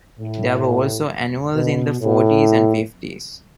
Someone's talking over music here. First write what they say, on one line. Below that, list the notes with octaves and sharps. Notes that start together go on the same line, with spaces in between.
There were also annuals in the forties and fifties.
A2
B2
A2